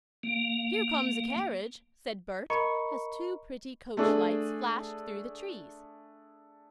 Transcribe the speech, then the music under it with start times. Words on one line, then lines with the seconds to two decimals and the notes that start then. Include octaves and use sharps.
"Here comes a carriage," said Bert, as two pretty coach lights flashed through the trees.
0.23 A#3
2.50 A#4 D#5 A#5 B5 C#6 C#7
3.97 A3 D4 G#4